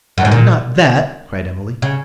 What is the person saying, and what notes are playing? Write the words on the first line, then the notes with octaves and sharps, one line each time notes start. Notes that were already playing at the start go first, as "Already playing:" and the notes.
'Oh, not that!' cried Emily.
F#2
G#2
A#2
C#3